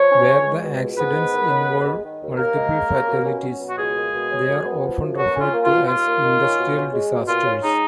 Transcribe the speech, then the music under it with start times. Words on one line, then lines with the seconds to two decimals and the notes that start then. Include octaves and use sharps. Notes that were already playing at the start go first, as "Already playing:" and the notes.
Where the accidents involve multiple fatalities they are often referred to as industrial disasters.
Already playing: F3 C#5
0.11 C#4
0.28 C#2
0.46 G#3
0.63 B2
0.81 C#2
0.98 G#2 B3 B4
1.16 G#3
1.33 D#3
1.50 C#4
1.68 D#2
1.86 G#3
2.04 D#3
2.21 D#2
2.38 D#2 A#3 A#4
2.56 G#3
2.73 C#3
2.90 C#4
3.08 B2
3.26 C#4
3.43 F#3
3.61 B2
3.70 F#4
3.78 C#2 G#3 G#4
3.96 A#3
4.13 B2
4.31 C#4
4.48 F#2
4.65 B3
4.83 F3
5.01 F#2
5.18 B2 F#3 F#4
5.35 C#4
5.41 F4
5.53 A#3
5.64 F4
5.70 B2
5.88 D#2 F4
6.05 A#3
6.23 D#3
6.40 C#4
6.58 B2
6.76 C#4
6.93 G#3
7.10 B2
7.28 A#2 F4
7.45 C#4
7.62 G#3 D#4